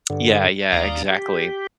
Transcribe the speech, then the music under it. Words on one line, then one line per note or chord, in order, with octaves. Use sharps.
Yeah, yeah, exactly.
G2 D3
D#2 D5 F5 A#5 D#6
G4